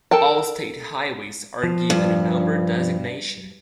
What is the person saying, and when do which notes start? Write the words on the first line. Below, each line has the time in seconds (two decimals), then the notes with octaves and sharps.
All state highways are given a number designation.
0.11 A4 A#4 G5 A5
1.63 F3
1.90 G2